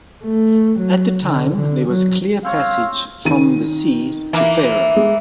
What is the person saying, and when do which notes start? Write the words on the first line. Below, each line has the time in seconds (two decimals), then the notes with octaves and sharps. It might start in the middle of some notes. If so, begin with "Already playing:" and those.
At the time there was clear passage from the sea to Farum.
0.24 A3
0.80 F#3
1.26 D3
1.56 D3
1.89 F#3
2.45 C4 C#5 F5
3.25 D#3 D#7
4.33 E3 A#3
4.96 G#3